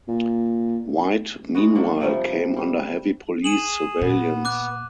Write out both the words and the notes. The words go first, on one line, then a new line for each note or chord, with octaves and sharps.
White meanwhile came under heavy police surveillance.
A#2
G#3 B3 F#4
D3 F#3 A#3
C3 F3 G3 A3
G3
G#4 D#7 E7 F#7
A#2 B3
D6 F#6